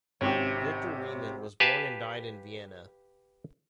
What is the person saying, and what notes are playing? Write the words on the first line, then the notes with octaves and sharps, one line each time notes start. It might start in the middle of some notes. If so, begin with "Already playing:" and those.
Viktor Reimann was born and died in Vienna.
G#1 C3 C#4 G4
G4 B4 F5 G#5 A5